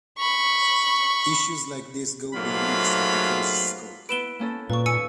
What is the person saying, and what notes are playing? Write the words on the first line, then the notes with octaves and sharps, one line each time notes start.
Issues like these go beyond this articles scope.
B5 C#6
G#2 F#3 A3 A#3 F4 B5
B3 E4 B4 D7 E7 G7
A#3 C#4 A4
A#2 B4 C#6
D#2 G#5 E6 C#7